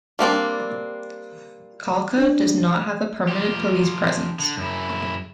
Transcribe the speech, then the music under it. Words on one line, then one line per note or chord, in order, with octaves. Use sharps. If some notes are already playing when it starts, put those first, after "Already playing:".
Kalka does not have a permanent police presence.
G3 A#3 C4 D4
D4
F3 G4
D3
F#2 E4